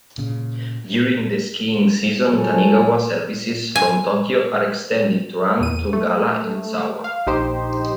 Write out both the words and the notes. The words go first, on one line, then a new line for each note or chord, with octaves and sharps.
During the skiing season, "Tanigawa" services from Tokyo are extended to run to Gala-Yuzawa.
A#2 C#3
C#2 F#3 A4 C5 C#5 G#5
G#5
E2 D#7
A3
F5
A#1 D#4 G4 C5